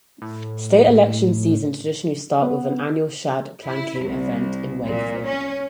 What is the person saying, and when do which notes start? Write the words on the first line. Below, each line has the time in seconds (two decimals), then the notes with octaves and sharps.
State election seasons traditionally start with the annual Shad Planking event in Wakefield.
0.22 A2
2.42 B3
3.65 E4
4.02 C2
4.87 A#2
5.27 C#4